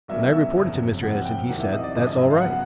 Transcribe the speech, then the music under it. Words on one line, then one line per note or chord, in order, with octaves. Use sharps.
When I reported to Mr. Edison he said: 'That's all right.
C2 B2 F#3 A#3 C#4 E5
E5
G1 F2 C#3 F#3 B3
F#1 F2 C3 F#5
G5
E2 C3 D#3 F#3 F#5
E5
D#5
D5
G#1 F#2 C#3 F3 D#5
D#5
E5
F5
C#3 F#3 B3 F#5